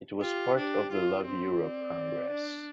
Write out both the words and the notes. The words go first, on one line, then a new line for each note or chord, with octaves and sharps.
It was part of the Love Europe Congress.
F4 G4
D4
F4
C4 C5
D5
D4